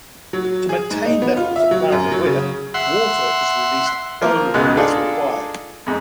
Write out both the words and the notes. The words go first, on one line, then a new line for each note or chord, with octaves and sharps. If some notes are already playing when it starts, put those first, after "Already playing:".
To maintain levels at Clarendon Weir, water is released only as required.
F#3
G#4
G#2
D#4
B3
F4
E5
F#3
F#2
F#3
C#3
E5 F#5 C6
F3 A#3 A#4
C#2 G#2 B2 G#3 F#6
D4 D#4 F4 G#4 A4
F2 G#2